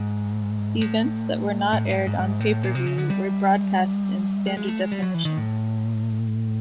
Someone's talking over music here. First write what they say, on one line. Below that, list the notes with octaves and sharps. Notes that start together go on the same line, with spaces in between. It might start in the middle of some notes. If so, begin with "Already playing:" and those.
Events that were not aired on pay-per-view were broadcast in standard definition.
Already playing: G#2
A2
A2
G#2
A2
G#2
G#2
G#2
A2
A#2
C3
C#3
D3
G3
G#3
G#3
A3
G#3
G3
F#3
E3
D#3
A2